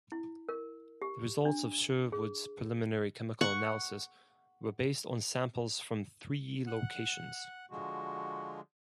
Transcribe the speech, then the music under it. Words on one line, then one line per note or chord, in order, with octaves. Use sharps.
The results of Sherwood's preliminary chemical analysis were based on samples from three locations.
E4
A#4
G4
D4
G#4
F#5 C#6
F#5
D3 F3 G#3 F#4